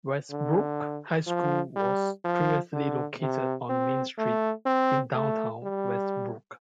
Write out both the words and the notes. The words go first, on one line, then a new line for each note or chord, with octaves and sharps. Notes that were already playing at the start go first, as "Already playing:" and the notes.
Westbrook High School was previously located on Main Street in downtown Westbrook.
D3
F3
G3
F3
D3
C3
C4
A3
C4
A3
G3